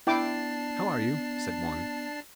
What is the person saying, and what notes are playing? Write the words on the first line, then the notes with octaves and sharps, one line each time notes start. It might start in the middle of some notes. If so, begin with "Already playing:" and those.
"How are you?" said one.
B3 D4 E4 G5 A5 D6 C7